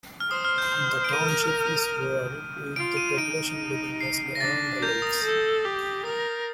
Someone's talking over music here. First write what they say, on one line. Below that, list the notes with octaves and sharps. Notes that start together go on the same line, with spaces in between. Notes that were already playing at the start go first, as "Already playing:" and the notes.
The township is rural with the population living mostly around the lakes.
F6
C5 D#6
F6
G6
G6
D7
A#4 D#7
F4 D7
D#7
D#7
D#4 D7
C7
C7
A#6
D4 A6
A#4 G6
D#6
A4
G4
A#4 D#6